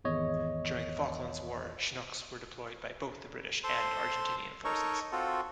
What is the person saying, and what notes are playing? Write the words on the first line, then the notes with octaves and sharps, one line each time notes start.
During the Falklands War, Chinooks were deployed by both the British and Argentinian forces.
G#1 E2 C#5 D#5
A4 C5 C6
D#4 A4 A#4 C#5 C#6
C4 F4 F#4 A4